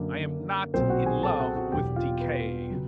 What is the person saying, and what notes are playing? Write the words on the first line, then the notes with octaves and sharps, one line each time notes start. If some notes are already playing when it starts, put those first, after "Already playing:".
I am not in love with decay.
Already playing: F#2 D3 F#3 A#3 D4
B1 A#2 F#3 C4 C5
F#4 F#5
G#4 G#5
A4 A5
F#4 F#5
F#4 F#5
E1 E2 B2 F#3 G4 G5
F4 F5
B4
C#3 F#3